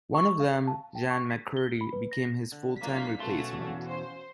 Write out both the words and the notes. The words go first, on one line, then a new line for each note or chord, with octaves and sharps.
One of them, Xan McCurdy, became his full-time replacement.
C#6
F5
A5
G5
C#6
B6
G7
B5
B4
A#6
D3
F#3 A#3 D4 F4 F5 B6
B1 A3 C#4 F#4 B4 F5 C6
E2 B2 E3
C5